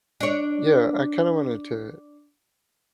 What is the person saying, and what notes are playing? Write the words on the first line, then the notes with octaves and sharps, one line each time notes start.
Yeah, I kinda wanted to
D4 C#5